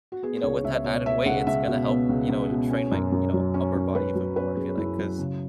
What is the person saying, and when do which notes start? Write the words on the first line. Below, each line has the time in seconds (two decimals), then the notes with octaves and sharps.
you know, with that added weight, it's gonna help, you know, train my, you know, upper body even more, I feel like, 'cause
0.12 F#4
0.23 B3 G#4
0.43 C#2 C#5
0.64 C#2 E5
0.84 B2 C#5
1.06 B3 E5
1.26 C#2 F#5
1.47 C#2 E5
1.68 B2
1.88 B3
2.09 C#2
2.29 C#2
2.51 B2
2.70 C#4
2.91 F#2
3.12 F#2
3.33 F#3
3.54 C#4
3.75 F#2
3.95 F#2 B4
4.15 F#3
4.36 C#4 B4
4.57 F#2 G#4
4.77 F#2 E4
4.98 F#3
5.18 C#3